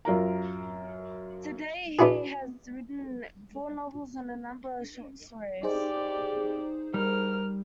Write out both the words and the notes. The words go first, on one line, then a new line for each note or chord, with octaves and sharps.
To date he has written four novels and a number of short stories.
F#2 F4 A#4 A#5
B3 D4 E4 F#4 G#4
D#4 G4 G#4 C5 D5
G3 A#4 F6